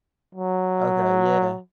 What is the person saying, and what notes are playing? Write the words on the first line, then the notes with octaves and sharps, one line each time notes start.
Okay, yeah.
F#3